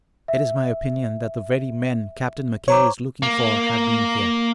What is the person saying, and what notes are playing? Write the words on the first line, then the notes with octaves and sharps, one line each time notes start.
It is my opinion that the very men Captain McKay is looking for have been here.
E5
C5 C#5 A#5 D6
A#3